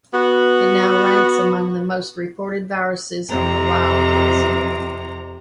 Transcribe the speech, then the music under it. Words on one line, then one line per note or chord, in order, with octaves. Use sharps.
It now ranks among the most-reported viruses on the WildList.
B3 F#4
F2 C3 A#5